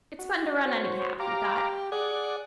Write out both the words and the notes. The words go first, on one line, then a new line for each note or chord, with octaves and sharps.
"It's fun to run, anyhow," he thought.
F#4
F#4 C5 C#5
G4 F5 A#5 D6
G#4 D5 F#5